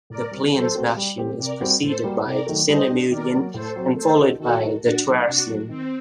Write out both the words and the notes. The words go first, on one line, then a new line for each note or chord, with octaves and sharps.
The Pliensbachian is preceded by the Sinemurian and followed by the Toarcian.
A2 A#4 D5
G3 C4
F#3 A4 C5
A3 C4 F#4
G3
C4 G4
C3 A#4 D5
G3 C4 F#4
A2 A4 C5
G3 A#3 F#4
C3 A#4 D5
D#3 F#3 A3
G3 C5 D#5
D4 G4
D#3 A#4 D5
F#3 A#3
A2 A4 C5
F#3 C4 F#4 C5
A3 A4 C5
D4 F#4 A#4 D#5
D#3 F#4 A4
A3 D#4 F#4 A#4
A#2 D4 F#4
F#3 A3 D#4
C3 D4 F#4
F#3 A3
D#3 C4